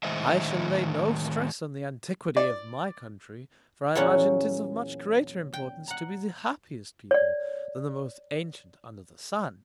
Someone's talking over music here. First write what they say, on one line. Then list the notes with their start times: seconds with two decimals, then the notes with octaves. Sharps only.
I shall lay no Stress on the Antiquity of my Country; for I imagine 'tis of much greater Importance to be the happiest People, than the most antient under the Sun.
0.03 A2 D#3 G#3 C5 D#5 E5
2.37 D5
3.95 E2 A#2 F#3 C#4 F#5
5.53 G5
5.88 F#5 A#5
7.11 C#5 D5